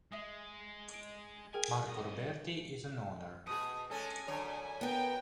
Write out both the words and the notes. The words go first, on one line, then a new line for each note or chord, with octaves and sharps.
Marco Roberti is an owner.
G#3 E5 D#6
D7
G#4 A#4 G5 G#5
C2 D#5
B2 F#4 G#4 D#6
G#3 C#4 A4 G#5
F#2 D3 C#5
B3 A#4 G5